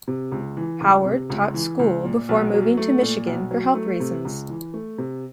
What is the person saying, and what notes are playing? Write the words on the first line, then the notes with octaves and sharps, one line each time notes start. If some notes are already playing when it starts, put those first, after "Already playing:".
Howard taught school before moving to Michigan for health reasons.
C3
C#2
E3
C#2
C3
C#2
E3
C#2
A#2
B1
F#3
A3
A#2
B1
F#3
A3
C3
C#2
E3
A3
C3